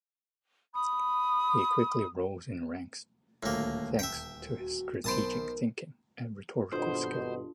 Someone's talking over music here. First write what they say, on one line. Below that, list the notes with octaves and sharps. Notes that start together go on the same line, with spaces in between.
He quickly rose in ranks thanks to his strategic thinking and rhetorical skill.
B5 D#6
D#1 D2 A2 A#3 F6
E5 G5
F#4
B1 A#4 C5 A5 B5 D#6 D7
G#1 G2 B2 D4 F4 A4 C5 C6